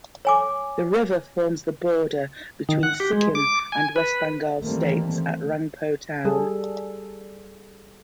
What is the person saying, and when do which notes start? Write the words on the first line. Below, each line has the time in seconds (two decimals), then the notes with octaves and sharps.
The river forms the border between Sikkim and West Bengal states at Rangpo town.
0.25 C#5 G#5 D6
2.69 D#3
2.83 F#5
3.00 G4
3.13 G#3
3.35 D6
3.72 G#5
3.96 B4
4.61 D#3 E3 G3 A3 A#3 C4
6.25 G3 G#4 A4